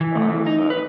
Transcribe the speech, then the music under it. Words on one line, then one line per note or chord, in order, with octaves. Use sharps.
Uh, so
E3
A3
E3
D#4
B4